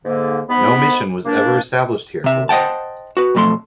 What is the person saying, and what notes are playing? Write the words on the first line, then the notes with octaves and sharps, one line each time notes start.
No mission was ever established here, however.
G#2 D3 A#3
G#2 B3 B5
A#3 D4
C3 E5
C5 D#5 F#5 G5 A5
F#4 B4
B1 F2 A3 B5 C6